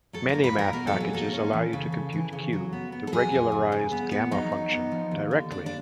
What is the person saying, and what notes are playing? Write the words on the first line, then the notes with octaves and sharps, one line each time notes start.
Many math packages allow you to compute Q, the regularized gamma function, directly.
F#3 A4
A#3 A#4
B4
A#3 A#4
B2 A#4
A4
F#3
G#4
A#3 A4
C#4
E3
C#3
C#3
E3
C#3
F#3
B3
B3
A4
F#3 G#4
F2
C#3
G2
B3
B3
F#3 D#4
F#3
B3
F3
D#2
D3
D#2 D4
D4